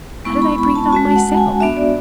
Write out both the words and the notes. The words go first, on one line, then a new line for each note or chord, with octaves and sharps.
"How did I bring it on myself?"
G#3 B3 E4 C#6
B5
B5
A5
G#3 C#4 F#4 A5
F#5
G#5
B3 D4 F#4 E5
D5